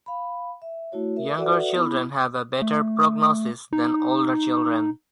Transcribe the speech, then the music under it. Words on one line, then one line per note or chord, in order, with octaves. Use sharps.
Younger children have a better prognosis than older children.
F5 B5
E5
A3 E4 F#4 C#5
A#4 E5
F#4 A4 B4 D5 E5 F#5
B3 E4 B5
A3
D#4